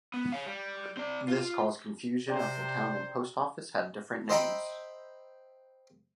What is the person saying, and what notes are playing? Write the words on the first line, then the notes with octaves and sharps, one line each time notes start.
This caused confusion, as the town and post office had different names.
B3
C#5 F5
G3
C4 D5
F4
C3 C5 D5 G5 A#5
C5 D#5 E5 G5 A#5 B5